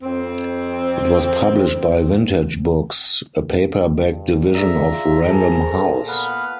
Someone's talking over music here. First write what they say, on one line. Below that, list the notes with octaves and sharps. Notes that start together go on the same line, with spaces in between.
It was published by Vintage Books, a paperback division of Random House.
F2 C4
G2
G#4 D5 E5 A#5 B6
F4
G#4 A#4 C5 A5 A#5
A#2 A4 A5
B3 B4 F5